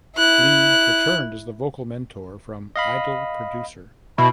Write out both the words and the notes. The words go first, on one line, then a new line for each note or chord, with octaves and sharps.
Li returned as the vocal mentor from "Idol Producer".
E4 F#6
D#5 F5 B5
B2 E4 B5